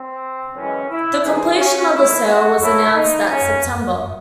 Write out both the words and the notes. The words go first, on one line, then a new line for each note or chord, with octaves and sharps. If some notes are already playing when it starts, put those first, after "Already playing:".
The completion of the sale was announced that September.
Already playing: C4
F#2 E3 G#3 C#4
E4
C2 C3 E3 G#3 G#4
C#4
E2 D#3 A3 E4
F#4
G#2 F#3 A3 E4
D#4
D#2 C#3 C#4